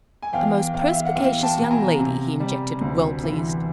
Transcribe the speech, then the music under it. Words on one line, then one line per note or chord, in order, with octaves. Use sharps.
'A most perspicacious young lady!' he interjected, well pleased.
G#5
E2 F5 G5
E2 F5 G5
E5
F5
F#5
E2 F5 G5
G5 A5
B2
G#5 A#5
C3
G3
D2
E3